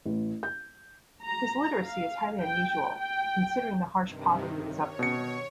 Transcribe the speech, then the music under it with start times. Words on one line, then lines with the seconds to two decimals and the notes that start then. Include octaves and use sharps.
His literacy is highly unusual, considering the harsh poverty of his upbringing.
0.05 A1
0.43 G6
1.23 A#5
1.84 F5
2.42 G5
2.97 G5
4.02 G2 C3 D#3
4.67 C#5
4.99 B2 C#7